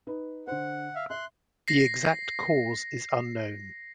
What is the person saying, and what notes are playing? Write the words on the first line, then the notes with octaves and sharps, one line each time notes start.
The exact cause is unknown.
D#4 B4
D3 C5 F#5
E5 F5
E5 C6 F#6
A#6 C7